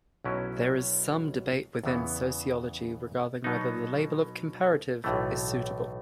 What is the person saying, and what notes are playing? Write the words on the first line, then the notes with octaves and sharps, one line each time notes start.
There is some debate within sociology regarding whether the label of 'comparative' is suitable.
B1 B2 F#3 C#4 E4
E2 C#3 E3 B3
B2 F#3 B3 D#4
B1 A2 E3 A3